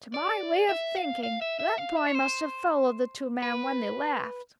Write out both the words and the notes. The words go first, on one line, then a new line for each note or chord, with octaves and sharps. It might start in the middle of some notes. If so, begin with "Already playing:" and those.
"To my way of thinking, that boy must have followed the two men when they left."
D5
E5
F5
F5
E5
E5
F5
E5
C#5
C5
B4